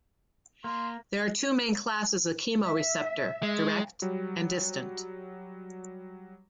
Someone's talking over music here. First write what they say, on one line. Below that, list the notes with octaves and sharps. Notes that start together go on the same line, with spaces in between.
There are two main classes of chemoreceptor: direct and distance.
A#3 C6
E5
G#3
F#3 G3